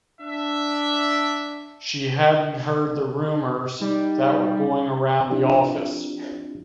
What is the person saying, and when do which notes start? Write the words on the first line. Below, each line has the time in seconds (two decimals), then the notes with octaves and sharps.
She hadn’t heard the rumours that were going around the office.
0.22 D4 E5
3.81 G3 D#4
5.30 F3 C4 D4 E4 F4 G4